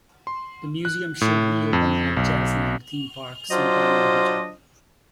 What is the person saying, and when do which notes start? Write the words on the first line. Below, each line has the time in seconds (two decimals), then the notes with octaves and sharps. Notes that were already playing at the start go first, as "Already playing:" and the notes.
The museum should reopen at Jazzland Theme Park some time in the future.
0.27 C6
0.85 F#6
1.21 A2
1.73 F2
2.17 B1
3.51 F#3 D4 F4 C5 D#5